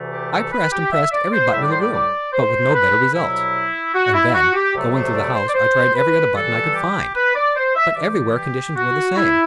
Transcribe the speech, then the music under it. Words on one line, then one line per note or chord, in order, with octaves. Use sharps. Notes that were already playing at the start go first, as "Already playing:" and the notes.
I pressed and pressed every button in the room, but with no better results; and then, going through the house I tried every other button I could find, but everywhere conditions were the same.
Already playing: D2 C3 E3 A3
G4
A4
B4
G4
E5
D5
C5
A2 G3 E5
D5
C5
D5
D5
C5
B4
C2 B2 F#3 E4
F#4
E4
F#4
G4
D2 C3 F#3 A3
C5
D5
C5
D5
C5
B4
G2 E3 G3 A4
G4
B4
D5
C5
E5
G2 E3 G3 D5
G4
F#4
E4